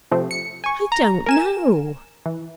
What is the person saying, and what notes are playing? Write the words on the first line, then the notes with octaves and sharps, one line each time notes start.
"I don't know."
C3 F3 A3 C4
C#7
G#5 C#6
A#5
A#4 G#5 E7
E3